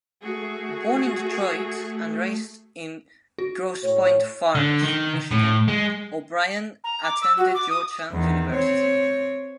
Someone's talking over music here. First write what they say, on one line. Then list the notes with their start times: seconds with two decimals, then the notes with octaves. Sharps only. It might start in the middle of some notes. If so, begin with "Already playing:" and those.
Born in Detroit and raised in Grosse Pointe Farms, Michigan, O'Brien attended Georgetown University.
0.22 A3 F#4 G#4
3.38 F#4
3.83 A2 C#5
4.55 D3
4.83 D#3
5.31 A2
5.68 G#3
6.84 A#5
7.03 D6
7.22 E6
7.37 F#4
7.55 D6
7.70 D#6
8.11 E2 D#3
8.53 C4 C#5